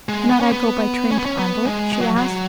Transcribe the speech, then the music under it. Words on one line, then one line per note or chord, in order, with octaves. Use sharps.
"Cannot I go by train to Oundle?" she asked.
G#3
B3
C#4
B3
C#4
B3
C#4
B3
G#3
G#3
F#3
F#3